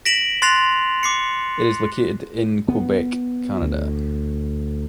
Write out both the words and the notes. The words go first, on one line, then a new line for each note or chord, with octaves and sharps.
It is located in Quebec, Canada.
A#6 B6 D7 E7 F#7
C6 F#6 A6 A#6 C7 F7
D6 C7 C#7
B3
D2